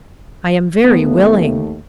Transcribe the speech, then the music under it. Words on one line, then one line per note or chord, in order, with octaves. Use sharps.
"I am very willing."
D#2 A3 B3